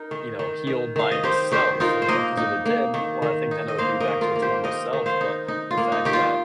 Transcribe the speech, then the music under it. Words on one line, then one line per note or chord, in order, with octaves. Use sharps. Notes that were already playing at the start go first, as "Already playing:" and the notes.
you know, healed by itself, you know, 'cause if it did, well, I think then it would be back to its normal self, but the fact that,
Already playing: D#4 A#4
D#3
D#3
D#3
D#3 F5
D#5
D#4 G4 C5
D#3 G4 C5
D#4 F4 A#4
C5
A#3 A#4 D#5
D#4
A#3
D#3
D#3
D#4
D#5
A#3 C5 F5
A#4 D#5
D#3
F4 A#4
A#3
G4 C5
D#4 A#4 D#5
D#3
C5 F5
D#4
D#4
F4
A#3
D#4
D#3 G4
F4